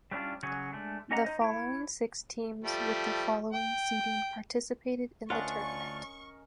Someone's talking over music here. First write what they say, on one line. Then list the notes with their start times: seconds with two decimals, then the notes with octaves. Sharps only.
The following six teams with the following seeding participated in the tournament.
0.11 G3 A3 C#4 D4 E4 F4
0.43 C#3 F#3 F#4 G#4 C#5
0.73 G#3 A3 D4
1.11 C#4 G4 D#5 F#5 A#5
1.25 D#4 C5 D#5
1.41 E4 C#5
2.64 F3 G3 A3
3.53 G5
5.30 D2 C#4 D4 F4 A#4 D#5 F#5 C#6